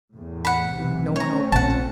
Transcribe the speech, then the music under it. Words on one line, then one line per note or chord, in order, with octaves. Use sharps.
No one opened.
E2 A2
F#5 B5
B1 C3 E3
A3 C4 C#4 C#5 A#5
A#1 F#5 A5